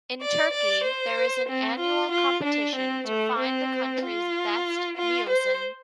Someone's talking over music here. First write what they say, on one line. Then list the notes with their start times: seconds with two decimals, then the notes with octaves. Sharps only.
In Turkey, there is an annual competition to find the country's best muezzin.
0.22 D5
0.53 D5
0.85 C5
1.49 C4
1.80 F4
2.12 F4
2.44 D4
2.76 C4
3.07 A3
3.39 C4
4.03 F4
4.97 F4
5.29 C5